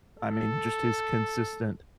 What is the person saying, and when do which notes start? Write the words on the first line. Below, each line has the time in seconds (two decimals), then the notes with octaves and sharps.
I mean, just his consistent
0.18 A4